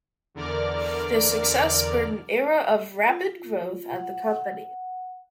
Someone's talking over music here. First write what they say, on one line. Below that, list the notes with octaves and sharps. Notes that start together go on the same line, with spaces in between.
Their success spurred an era of rapid growth at the company.
E2 D3 A#4 D5 D6 F6
F4
F#5